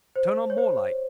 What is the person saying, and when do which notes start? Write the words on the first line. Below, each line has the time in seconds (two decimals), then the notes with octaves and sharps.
Turn on more light.
0.16 C5
0.50 C#5
0.58 C5